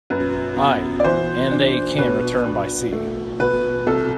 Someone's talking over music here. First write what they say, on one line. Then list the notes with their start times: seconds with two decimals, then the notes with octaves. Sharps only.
Ay, and they can return by sea.
0.10 F#2 B4
0.57 B3
1.00 D5
1.04 E3 C5
1.51 D4
1.98 B2 B4
2.45 D4
2.92 A3
3.39 B2 B4
3.87 C2 A4